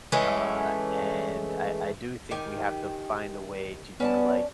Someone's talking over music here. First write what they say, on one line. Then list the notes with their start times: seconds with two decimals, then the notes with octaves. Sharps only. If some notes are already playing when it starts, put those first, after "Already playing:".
Uh, and I I do think we have to find a way to do, like
0.12 E3 G#3 A3 C#4
2.31 D#3 G4 G#5
4.00 B3 C#4 D5 A5